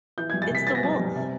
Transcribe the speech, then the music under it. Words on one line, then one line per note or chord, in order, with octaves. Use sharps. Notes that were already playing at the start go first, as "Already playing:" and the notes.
It's the Wolf!
E3 G6
G#6
G3
A6
C3 B6
B3 A6
A#6
G3 A6
G3
C3